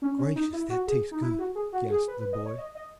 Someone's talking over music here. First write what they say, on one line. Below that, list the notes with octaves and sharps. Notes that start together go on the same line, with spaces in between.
"Gracious, that tastes good!" gasped the boy.
C#4
C#4
D#4
E4
F#4
G#4
D#4
E4
F#4
G#4
F#4
G#4
B4
B4
D#5
C#5
D#5
D#5